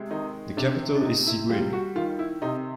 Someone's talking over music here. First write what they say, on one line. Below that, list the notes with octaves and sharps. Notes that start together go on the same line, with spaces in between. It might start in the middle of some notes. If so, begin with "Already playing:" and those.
The capital is Siguiri.
Already playing: C3 G#3
D#3 D#4
C3 D4
D4
C3 D#4
E4
G3 F4
F#4
D#3 F4
E4
C3 D#4